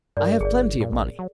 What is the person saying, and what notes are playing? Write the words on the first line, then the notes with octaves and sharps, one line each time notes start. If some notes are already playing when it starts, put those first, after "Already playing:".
I have plenty of money.'
G2 A#4 D5
G1 G#4 D5
A#2
A#1
F#3